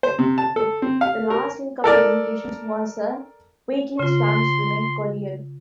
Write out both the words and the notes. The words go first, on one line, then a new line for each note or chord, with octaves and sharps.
The last link of communications was a weekly swamp swimming courier.
C5
C3
A5
A4
C4
F5
A#4
A4 A#4 D5
C#3 F4 C6